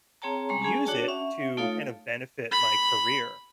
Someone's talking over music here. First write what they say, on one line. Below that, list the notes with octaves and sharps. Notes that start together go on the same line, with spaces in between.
use it to kind of benefit my career.
C4 G#4 C#5 G5 A5 A#5
G3 G#3 C#4 A#5 C6
C#4 G#4 G#5 A5
D4 F#4 C#5 D5 G5 A5
C#4 E5 F#5
A3 D#4 F4 A4 C#5 F5
B5